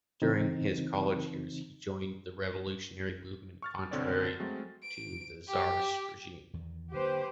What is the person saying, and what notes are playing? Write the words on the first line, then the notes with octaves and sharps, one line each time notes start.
During his college years he joined the revolutionary movement contrary to the tsarist regime.
C#3 E3 C4 D#4
C#6 F6 A6
C2 B2 D3 C4 C#5 D5
A6
F#3 G#3 A3 C4
D7
G4
E2 D#3
D3 F#3 A#3 G4 B4 C5